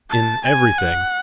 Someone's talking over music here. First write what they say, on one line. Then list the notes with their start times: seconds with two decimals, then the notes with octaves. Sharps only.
"In everything."
0.10 A5
0.45 G#5
0.79 F#5